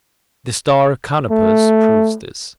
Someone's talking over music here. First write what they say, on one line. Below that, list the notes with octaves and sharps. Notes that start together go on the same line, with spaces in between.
The star Canopus proves this.
A3